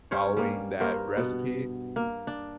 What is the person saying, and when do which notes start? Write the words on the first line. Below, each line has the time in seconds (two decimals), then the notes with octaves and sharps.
following that recipe.
0.11 G2 C#4 C5 C#5
0.37 G3 A#3
0.80 G2 A#3 A#4 C5
1.16 B2 B3
1.96 A#3
2.27 D4